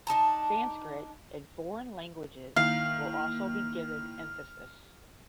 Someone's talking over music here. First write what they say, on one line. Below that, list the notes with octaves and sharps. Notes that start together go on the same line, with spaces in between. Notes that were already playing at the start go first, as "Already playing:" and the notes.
Sanskrit and foreign languages will also be given emphasis.
D4 D#4 A5 A#5
D#3 A#3 E4 F5 F6